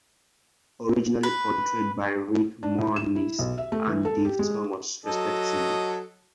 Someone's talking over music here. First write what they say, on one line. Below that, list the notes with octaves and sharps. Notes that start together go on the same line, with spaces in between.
Originally portrayed by Rick Moranis and Dave Thomas, respectively.
B4
D4
A2
E7
E4
B1
E5
A3
E3
A4
G4
G#3
F#3 A4 D#5